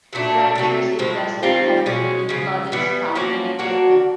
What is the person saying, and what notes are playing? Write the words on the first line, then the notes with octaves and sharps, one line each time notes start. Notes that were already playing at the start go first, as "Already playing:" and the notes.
Ranchers invested heavily in blooded stock and equipment.
A#2 F#3 A3 D4
C3 D#3 F#3
A2 F3 G#3
D#3 G3 C4 F4
B2 G#3 C#4
C#3 F3 G#3
E3 G3 B3
F3 A#3 C#4 F#4
F#3 A#3 D4 F#4